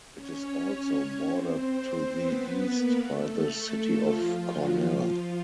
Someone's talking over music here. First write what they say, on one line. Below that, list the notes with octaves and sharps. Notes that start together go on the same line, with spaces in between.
It is also bordered to the east by the city of Cornell.
C#4 C#5
C#4 C#5
C4 C5
B3 B4
A#3 A#4
A3 A4
F3 F4
F#3 F#4
F3 F4